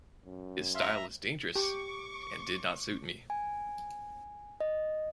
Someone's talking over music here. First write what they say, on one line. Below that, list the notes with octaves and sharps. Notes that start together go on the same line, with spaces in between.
His style was dangerous and did not suit me.
F#2
E5 F5 A#5 C6
G4 C#6 D6
G#5
D#5